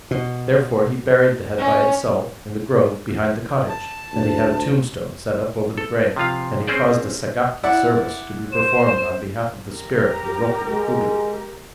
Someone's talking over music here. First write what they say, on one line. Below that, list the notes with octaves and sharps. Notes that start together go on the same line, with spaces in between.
Therefore he buried the head by itself, in the grove behind the cottage; and he had a tombstone set up over the grave; and he caused a Segaki-service to be performed on behalf of the spirit of the Rokuro-Kubi.
B2
C#4
A5
D2
A4
C3 F3 F4 F5
C4 C#4 G#4 C5 D5
E4 D5 F#5
C5 E7
G4 A#4
G#3